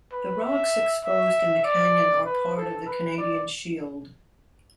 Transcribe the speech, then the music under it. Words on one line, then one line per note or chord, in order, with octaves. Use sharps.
The rocks exposed in the Canyon are part of the Canadian Shield.
B4
E5
E5
D5
B4
A4
B4
D5